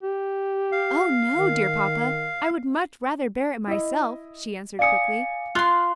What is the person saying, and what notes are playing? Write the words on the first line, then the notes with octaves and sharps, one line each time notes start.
"Oh, no, dear papa, I would much rather bear it myself," she answered quickly.
G4
F5
D#3
E4 D#5
D5 F5 G#5 D#6 C#7
F4 C6 F6 F#6